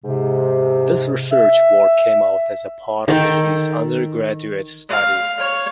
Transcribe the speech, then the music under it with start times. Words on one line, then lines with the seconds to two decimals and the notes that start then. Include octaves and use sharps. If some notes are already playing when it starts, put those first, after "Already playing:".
This research work came out as a part of his undergraduate study.
0.04 G#2 C3
1.32 E5
3.08 D#3 A4 G5
4.89 F5
5.39 C#5